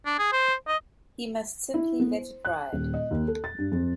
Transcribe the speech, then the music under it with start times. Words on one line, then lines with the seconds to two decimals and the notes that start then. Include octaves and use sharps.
He must simply let it ride.
0.06 D4
0.19 G#4
0.32 C5
0.67 D#5
1.74 E4
2.00 B3
2.12 C5
2.45 F#6
2.73 D#1
2.94 D#5
3.11 D#2
3.28 A4
3.44 A6
3.58 G2
3.72 F2